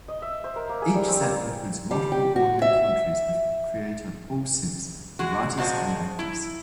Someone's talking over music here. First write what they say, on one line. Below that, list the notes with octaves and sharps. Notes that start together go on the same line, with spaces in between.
Each set includes multiple audio commentaries with creator Paul Simms, the writers and actors.
D#5
E5
C5
A#4
A#3
G#4
G3
C4
A#3
G3
G4
F#4
E5
G#3 F#4
A#2 G#3 F#4 C5 A5
E4